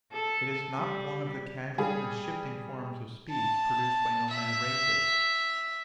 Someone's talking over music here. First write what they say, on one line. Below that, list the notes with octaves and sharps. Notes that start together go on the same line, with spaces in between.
It is not one of the casual and shifting forms of speech produced by nomad races.
A4
G3
G3 G#4
A5
E5